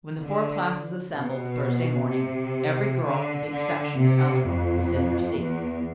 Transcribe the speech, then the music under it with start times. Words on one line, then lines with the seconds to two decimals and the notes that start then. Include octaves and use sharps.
When the four classes assembled Thursday morning, every girl, with the exception of Eleanor, was in her seat.
0.21 D3
1.15 B2
2.10 C3
3.04 D3
3.51 D3
3.98 C3
4.45 F2
5.40 E2